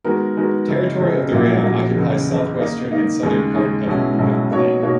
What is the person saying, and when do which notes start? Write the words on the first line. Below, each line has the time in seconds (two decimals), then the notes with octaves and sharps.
Territory of the rayon occupies south-western and southern part of Mugan plain.
0.05 D#3 G#3 B3 F#4 A#4
0.37 D#3 G#3 B3 F#4 A#4
0.68 F#1 F#2 C#3
1.00 F#1 F#2 C#3
1.32 A#1 A#2 F#3 A#3 E4
1.63 A#1 A#2 F#3 A#3 E4
1.96 F#1 E2 C#3
2.27 F#1 E2 C#3
2.59 D#3 A#3 D#4
2.91 D#3 A#3 D#4
3.23 D#2 C#3 G#3 D#4 G#4
3.55 D#2 C#3 G#3 D#4 G#4
3.87 B1 B2 G#3 C#4 E4
4.19 B1 B2 G#3 C#4 E4
4.50 B2 A#3 D#4 F#4 C#5
4.82 B2 A#3 D#4 F#4 C#5